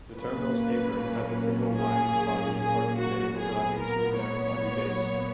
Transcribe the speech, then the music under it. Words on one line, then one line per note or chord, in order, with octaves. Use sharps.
The terminal's apron has a single wide-body parking bay overlapping two narrow-body bays.
A#2 F#3 A#3 C#4 B4
G#4
G#4
F#4
A#2 F#3 B3 G#4
A#4
C#5